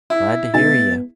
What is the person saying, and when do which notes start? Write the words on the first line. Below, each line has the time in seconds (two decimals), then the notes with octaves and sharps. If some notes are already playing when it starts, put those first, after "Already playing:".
Glad to hear you!
0.10 E4
0.54 B2 G#3 B3 D#4 A6